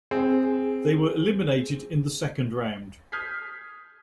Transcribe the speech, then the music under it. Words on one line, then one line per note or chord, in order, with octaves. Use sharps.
They were eliminated in the second round.
C4 G#4
D#6 F6 G6 G#6 B6 C7